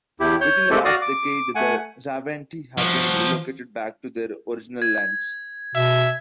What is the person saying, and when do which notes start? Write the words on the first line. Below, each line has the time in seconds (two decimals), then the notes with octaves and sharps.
Within the last decade, the Xavante have been relocated back to their original lands.
0.20 E2 E4 G4
0.41 C#5 G6
0.70 G#3 A3 C4 G4 A4
0.85 F#4 D5 F5 D#6
1.02 D6
1.55 A3 F#5 G#5
2.78 F3 F#4
4.82 G#6
5.75 B2 E5